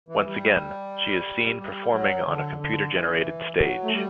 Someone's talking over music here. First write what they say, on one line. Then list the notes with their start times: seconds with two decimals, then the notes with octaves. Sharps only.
Once again, she is seen performing on a computer-generated stage.
0.09 E3
0.25 G3
1.58 G3
1.93 F#3
2.26 D3
2.58 D3
2.92 E3
3.54 E3
3.59 F#3
3.83 A3
3.93 G3